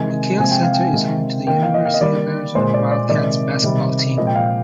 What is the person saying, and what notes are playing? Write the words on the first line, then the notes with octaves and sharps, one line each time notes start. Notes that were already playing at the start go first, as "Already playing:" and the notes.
McKale Center is home to the University of Arizona Wildcats basketball team.
Already playing: C3 D#3 G#3 G#5
C3 F3 G#3 G#5
G5
F5
G5
C3 D#3 G#3
D#3 A#3 G5
F5
D#5
F5
D#5
D#3 G3 A#3 D5
A#2 G#3 C5
D5
D5
C3 D#3 G#3 D5
C3 D#3 G3
A#2 F3 G#3 D#5
G5
F5